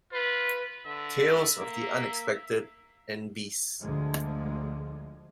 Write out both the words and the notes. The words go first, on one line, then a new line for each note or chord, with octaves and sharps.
"Tales of the Unexpected" and "Beasts".
F4 B4
D3 E5
A#3
D2 D3 F3 G#3